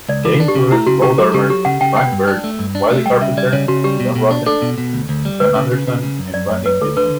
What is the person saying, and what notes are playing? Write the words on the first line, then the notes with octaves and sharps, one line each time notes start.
They included Rhodarmer, Frank Byrd, Wiley Carpenter, John Roten, John Anderson and Randy Houston.
C#2 D5
E3 A4
D4
G4
C#3
A3 E4
C#3 F#4
C#3 G4
F#3 A4
C#3 G4
F#3 G4
C#3 F#5
C#3 G5
B3 G5
G2
D4
A3
G2
D4
A3
G3 G5
C#3 E5
G3 D5
C#3 C#5
C#3 F#4
G3 G4
B2
B2
D4
D4 A4
B2
B2
D2
D2
G3
D2 B4
C#3
C#3
C#3
C#3
F#2
F#2 D5
F#2 C#5
F#2 B4
D2 A4
D3 B4